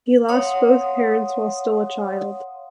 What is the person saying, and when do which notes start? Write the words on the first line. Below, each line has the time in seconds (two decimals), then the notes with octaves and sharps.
He lost both parents while still a child.
0.29 C#5 F5 F#5 C6 D#6